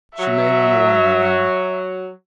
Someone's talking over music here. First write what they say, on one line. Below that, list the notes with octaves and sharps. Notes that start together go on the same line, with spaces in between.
She may want a woman around.
F#3 E5